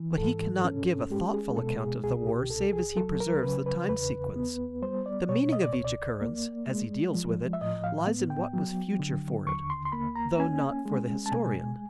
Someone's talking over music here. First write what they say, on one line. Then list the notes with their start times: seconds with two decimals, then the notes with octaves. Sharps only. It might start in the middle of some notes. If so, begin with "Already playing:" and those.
But he cannot give a thoughtful account of the war save as he preserves the time sequence; the meaning of each occurrence, as he deals with it, lies in what was future for it, though not for the historian.
Already playing: E3
0.18 G#2 A4
0.65 C#4
1.10 G#3 G4
1.34 G#4
1.57 B2 A4
1.80 G#4
2.04 C2 G#4
2.27 G4
2.50 C2 A4
2.73 G#4
2.97 F#3 A4
3.20 A#4
3.43 C#3 B4
3.66 B4
3.89 E2 B4
4.36 B3
4.82 G3 C5
5.06 D5
5.29 B2 C#5
5.53 D#5
5.62 D5
5.73 C#2 C#5
5.85 D5
6.21 A#3
6.68 G#3
7.14 F3
7.53 E5
7.61 A2 D#5
7.84 F5
8.07 B3
8.30 G5
8.53 F#3
8.99 D3
9.47 D#2 C#6
9.70 C6
9.85 C6
9.92 A#3 B5
10.16 A#5
10.39 C#4 G#5
10.86 G#3
11.26 A5
11.32 B2 G#5